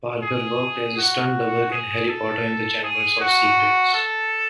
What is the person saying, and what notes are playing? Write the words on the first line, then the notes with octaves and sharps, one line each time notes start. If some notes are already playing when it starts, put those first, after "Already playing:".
Parker worked as a stunt double in "Harry Potter and the Chamber of Secrets".
G#4
F#4
G#4
A4
G#4
F#4
A4